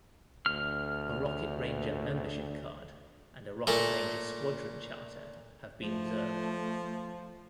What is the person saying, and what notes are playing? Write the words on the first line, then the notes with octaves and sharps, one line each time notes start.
A Rocket Ranger membership card and a Rocket Ranger Squadron Charter have been observed.
D2 F6
A#2 A3
F3 A3